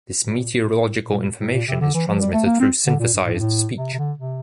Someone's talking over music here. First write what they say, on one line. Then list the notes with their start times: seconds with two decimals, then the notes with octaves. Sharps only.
The meteorological information is transmitted through synthesized speech.
0.23 A#2
0.62 A#2
0.82 A2
1.01 A#2
1.41 A2
1.54 A#2
1.68 C3
1.81 D3
1.94 E3
2.07 F3
2.20 G3
2.33 A3
2.46 A#3
2.60 C4
2.87 D3
3.00 A#2
3.13 G2
3.25 A2
3.34 G2
3.39 A2
3.78 C3
3.94 C3
3.99 D3
4.18 C3